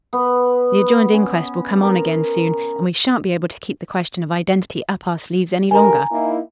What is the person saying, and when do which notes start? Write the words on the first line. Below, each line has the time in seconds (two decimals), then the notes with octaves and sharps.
"The adjourned inquest will come on again soon, and we shan't be able to keep the question of identity up our sleeves any longer."
0.13 B3
1.14 C#4
1.83 A#4
5.71 D3 G3 A#4 G#5 A#5
6.12 A#3 D#4 E4